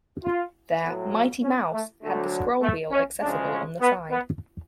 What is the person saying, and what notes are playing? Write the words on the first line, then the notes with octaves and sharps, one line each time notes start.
Their "Mighty Mouse" had the scroll wheel accessible on the side.
F4
A2 F#3 B3
A3
C#4
A3
D2 D3 F#3 A3
A3
C#4
D2 C#3 F3 G#3 D4
C#4
B3
B3